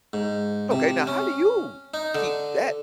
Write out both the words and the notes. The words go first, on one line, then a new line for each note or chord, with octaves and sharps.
Okay. Now how do you keep that
G#2
C3
C#4
D#4
D3